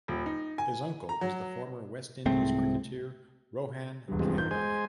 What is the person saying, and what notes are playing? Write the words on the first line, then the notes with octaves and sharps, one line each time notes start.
His uncle is the former West Indies cricketer Rohan Kanhai.
D#1
D#4
G#5
A#5
F#3
C2 G#2 A3 C4
E1 G2
C3 F3 G#3
D#3 F3 G6
G#3 C5 G#5